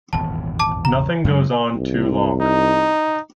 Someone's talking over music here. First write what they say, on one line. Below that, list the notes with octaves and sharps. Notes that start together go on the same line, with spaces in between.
Nothing goes on too long.
D#1 G#1 E2 A5
A5 D6
A#5
F#2 F#3 G#3
C2
D#4